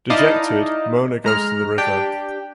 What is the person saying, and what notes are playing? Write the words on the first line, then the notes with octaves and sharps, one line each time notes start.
Dejected, Mona goes to the river.
D#4 E4 D5 D#5 F5 A5
G#3 A#5 F6
D4 G4 G5